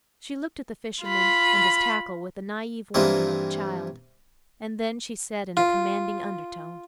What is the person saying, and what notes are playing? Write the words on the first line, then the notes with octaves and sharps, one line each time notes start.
She looked at the fisherman and his tackle with the naive wonder of a child, and then she said in a commanding undertone.
F4 B5
G2 E3 A#3 C4
F4